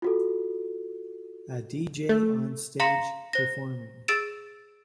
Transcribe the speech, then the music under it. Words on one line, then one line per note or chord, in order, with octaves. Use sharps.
A DJ on stage performing.
F4 F#4 A4
A3
F5 A#5 C6 A#6 C#7
C5 A#6
G#4 E6 A6 D7 E7